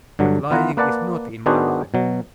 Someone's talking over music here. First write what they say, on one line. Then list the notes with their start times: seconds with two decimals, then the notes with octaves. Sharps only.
But lying is not in my line.
0.19 G2 D3 F#3
0.51 E3 B3 F4 F#5 A#5
0.77 A#3 B4 D5 F#5 A5
1.46 D#3 B3 D4 F#4 G#4 C5
1.94 B2 F#3